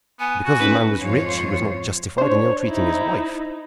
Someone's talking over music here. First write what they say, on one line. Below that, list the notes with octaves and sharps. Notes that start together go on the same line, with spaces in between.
Because the man was rich he was not justified in ill-treating his wife.
B3 G#5
F#4
C#4 D#4 B4 F#5
F2 G#2 F3 F4 C5 C#5
D4 C5 C#5
D#4 E4